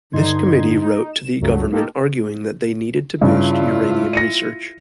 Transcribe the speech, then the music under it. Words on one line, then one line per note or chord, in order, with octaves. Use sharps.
This committee wrote to the government arguing that they needed to boost uranium research.
G2 D3 D#4 C6 G#6
D#4
E7
C#2 G2 C#3 F#3 A3
A#3 D#4 F4 G4 A4 A#4
G2 C#3 E4 F4
A#6 C#7 D#7